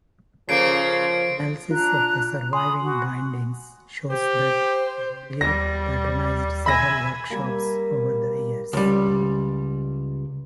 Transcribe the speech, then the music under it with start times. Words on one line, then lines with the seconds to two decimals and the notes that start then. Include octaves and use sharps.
Analysis of the surviving bindings shows that Grolier patronised several workshops over the years.
0.49 C#3 F3 A#3 A4 C5 C7 D7
1.71 D4 F4 A#5 F#6
2.53 G#5 B5 C6 D#6
2.79 F#4
4.10 G4 C5
5.41 D#2 G3 A#6
6.66 E5 G#5 B5 A#6
7.30 G3 A#3
8.73 C#2 G3